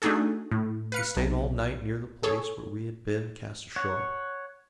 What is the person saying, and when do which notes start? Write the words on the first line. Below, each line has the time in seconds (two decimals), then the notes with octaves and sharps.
We stayed all night near the place where we had been cast ashore.
0.02 A3 D4 D#4 F#4 G#4 A4
0.51 A2
0.92 B4 F5 C#7
1.16 B1
2.23 G#4 A4 C#5
3.76 C#5 F#5